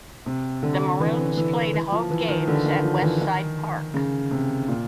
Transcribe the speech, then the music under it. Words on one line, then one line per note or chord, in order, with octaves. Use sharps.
The Maroons played home games at West Side Park.
C3
D3
E3
E3
E3
F3
E3
D#3
D3
D#3
F3
E3
D#3
C#3
C3
A#2